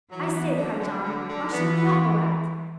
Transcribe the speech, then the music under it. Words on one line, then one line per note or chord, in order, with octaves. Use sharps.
"I say," cried John, "why shouldn't we all go out?"
E3 F#3
B3
D3 F#3
D3
D3
D3
E3 B3
B3